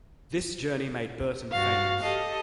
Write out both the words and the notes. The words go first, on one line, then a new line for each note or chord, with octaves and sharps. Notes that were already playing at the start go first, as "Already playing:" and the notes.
This journey made Burton famous.
G2 F#4 F5 A6
G4 A4 D#5